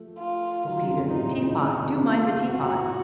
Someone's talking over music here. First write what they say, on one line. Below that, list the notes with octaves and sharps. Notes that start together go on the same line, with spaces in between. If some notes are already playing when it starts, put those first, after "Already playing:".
"Oh, Peter--the teapot--do mind the teapot!"
Already playing: F3 A3
F4
D#3 F#3 F4
C#3 F3
C3 D#3
A#2 C#3
A2 C3 D#4
A2 C3
A#2 C#3
A#2 C#3
C3 D#3
A#2 C#3
F4
A2 F#4
A#2
A2
A#2